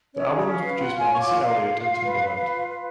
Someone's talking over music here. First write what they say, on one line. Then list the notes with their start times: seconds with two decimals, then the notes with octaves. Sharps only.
The album was produced by Missy Elliott and Timbaland.
0.14 C#4 C#5
0.30 G#4 D5
0.45 C#4
0.57 B4 F5
0.77 F4 F#5
0.94 F4 G#5
1.09 C#5 C#6
1.20 D6
1.25 F4
1.41 F4 F5
1.57 F4
1.73 F4
1.89 F4
2.04 B4
2.20 B4
2.36 B4
2.52 F4
2.68 B4